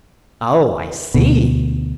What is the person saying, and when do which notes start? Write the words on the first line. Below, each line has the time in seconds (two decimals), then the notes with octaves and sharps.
"Oh, I see."
1.14 D2 B2